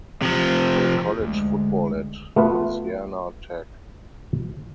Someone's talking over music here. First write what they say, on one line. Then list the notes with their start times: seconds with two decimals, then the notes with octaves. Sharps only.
He played college football at Louisiana Tech.
0.22 C3 F3
1.20 D2 G#3
2.36 A3 B3 F4 B4